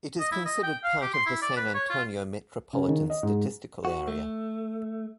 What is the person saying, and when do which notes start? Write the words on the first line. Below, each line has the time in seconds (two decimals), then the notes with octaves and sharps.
It is considered part of the San Antonio Metropolitan Statistical Area.
0.20 D#5
0.32 E4
0.46 D#5
0.63 G5
0.84 F5
1.02 G4
1.14 C6
1.26 E4
1.42 D5
1.57 B4
1.74 C#5
1.90 F4
2.73 C#3
2.88 D#3
3.10 D#5
3.23 G#2
3.85 F#4
4.08 A3